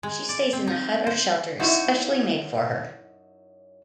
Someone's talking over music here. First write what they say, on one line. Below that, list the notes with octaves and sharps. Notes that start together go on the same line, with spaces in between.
She stays in a hut or shelter specially made for her.
G#3
D5
C4
D#4
C5
F#2 D#4 E4 F#4